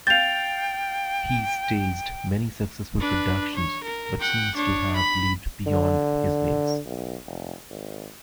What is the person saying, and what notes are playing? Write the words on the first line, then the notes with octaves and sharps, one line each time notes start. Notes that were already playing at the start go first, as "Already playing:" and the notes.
He staged many successful productions but seems to have lived beyond his means.
F5 G5 G6 A6 F7
D4 B4
C#5
A#4
F#5 G5
D4 C#5
B5
D3
B1
F1
G#1